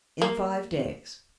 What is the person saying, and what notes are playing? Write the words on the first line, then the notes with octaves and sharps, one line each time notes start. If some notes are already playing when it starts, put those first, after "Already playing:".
"In five days."
A#3